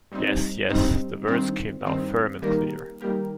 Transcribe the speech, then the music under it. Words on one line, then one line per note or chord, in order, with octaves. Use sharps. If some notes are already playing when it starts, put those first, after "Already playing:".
"Yes, yes" - the words came now firm and clear.
G2 G3 C4 D#4
G2 G3 C4 D#4
G2 D#3 C4
G2 D#3 C4
D#3 G3 A#3 G4 A#4
D#3 G3 A#3 G4 A#4